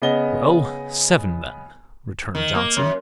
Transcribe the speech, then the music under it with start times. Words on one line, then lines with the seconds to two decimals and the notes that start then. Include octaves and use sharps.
"Well, seven then," returned Johnson.
0.02 C#3 B3 D#5 G7
2.35 D#3
2.55 A#3
2.77 F#2